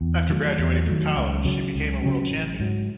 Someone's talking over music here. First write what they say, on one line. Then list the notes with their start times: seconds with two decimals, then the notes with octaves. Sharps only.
After graduating from college, she became a world champion.
0.01 E2
0.29 D#3 F#3 A3
0.58 E2
0.86 D#3 F#3 A3
1.15 C#2
1.45 C#3 F#3 C#4
1.74 C#2
2.02 C#3 F#3 C#4
2.31 A1
2.60 G#2 F#3